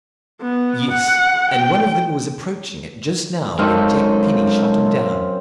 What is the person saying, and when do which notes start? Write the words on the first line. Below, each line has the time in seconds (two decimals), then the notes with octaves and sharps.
"Yes; and one of them was approaching it just now when Jack Penny shot him down."
0.41 B3
0.90 F#5
1.51 G5
3.59 F#2 G#3 C4 D#4 A4 F5